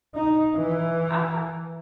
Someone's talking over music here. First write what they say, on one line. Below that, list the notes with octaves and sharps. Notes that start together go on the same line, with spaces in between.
I thought
D#4
E3